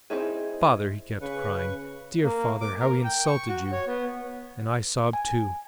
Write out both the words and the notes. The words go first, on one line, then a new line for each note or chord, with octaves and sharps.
'Father,' he kept crying, 'dear father, how he insulted you!' And I sobbed too.
C4 D#4 E4 G#4
C#3 B4 C#6
A#3
D6
A#4
G5
C#6
F#4
C#5
B3
G#5